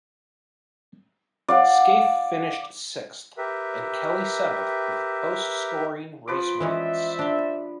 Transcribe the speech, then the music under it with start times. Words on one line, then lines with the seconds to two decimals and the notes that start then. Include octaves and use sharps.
Skaife finished sixth and Kelly seventh with post scoring race wins.
1.48 D5 F5 F#5
3.38 G4 A#4 B4 E5
6.28 F3 B4 D6
6.60 E3 G#3 C#4 C5 D5 E5
7.19 D4 G4